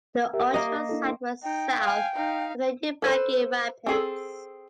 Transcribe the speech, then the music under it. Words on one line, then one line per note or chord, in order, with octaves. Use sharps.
The original site was south of the Ubangi rapids.
G4 A#4 E5
A#3 D#5
D4 E4 A4
D#4 G5
F5 G#5
D#4 F5
A4 B4 C5
C4 G#4 A4